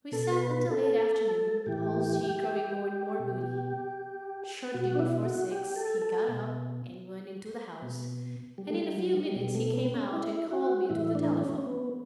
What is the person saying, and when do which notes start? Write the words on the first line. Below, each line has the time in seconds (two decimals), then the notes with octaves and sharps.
We sat until late afternoon, Halsey growing more and more moody. Shortly before six, he got up and went into the house, and in a few minutes he came out and called me to the telephone.
0.12 B2 A4
0.32 B4
0.51 B4
0.71 A4
1.66 A2 E3 G4
3.20 B2
4.74 B2 F#4
4.95 D4
4.99 E4
5.25 F#4
5.51 G4
5.76 A4
6.02 A4
6.28 B2
7.82 B2
8.58 G3
8.70 A3
8.78 G3
8.97 F#3
9.17 G3
9.36 B2 G3
9.55 A3
9.73 B3
9.94 C#4
10.13 E4
10.51 F#4
10.89 A2 E3 E4
11.15 D4
11.40 C#4
11.58 C#4
11.66 B3